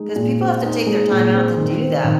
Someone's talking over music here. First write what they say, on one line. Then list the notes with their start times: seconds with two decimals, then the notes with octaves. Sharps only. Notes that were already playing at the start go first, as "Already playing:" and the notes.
'cause people have to take their time out to do that,
Already playing: G#3 D#4
0.16 A#2
0.40 C4
0.63 D#4
0.87 G#3
1.11 A#2
1.34 C4
1.58 D#3
1.82 C4
2.04 D#3